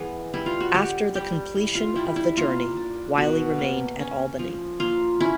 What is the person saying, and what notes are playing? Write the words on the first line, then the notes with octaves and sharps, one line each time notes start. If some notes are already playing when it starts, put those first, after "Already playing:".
After the completion of the journey, Wylie remained at Albany.
Already playing: E3 B3 G#4
G3 E4
F4
F#4
D3 G4
G3 G4
E4
F4
G3 E4
E4
A#3 F4
D4
B2 F#4
A#3
C#4
F3
A#3 F4
C#4 E4